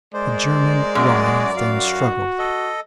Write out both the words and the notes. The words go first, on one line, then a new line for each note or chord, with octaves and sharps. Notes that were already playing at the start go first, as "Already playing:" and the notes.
The German writhed and struggled.
G#3 A#4 C5 D5
F#2 F#4 G#4 D6
F#4 F5
A4 D#5